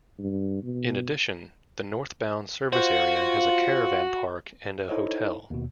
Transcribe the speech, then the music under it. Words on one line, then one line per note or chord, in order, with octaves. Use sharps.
In addition, the northbound service area has a caravan park and a hotel.
G2
B2
F4 F#4 C5 F5
D#4 E4 A4 C5 C#5 D#5
D#2 B2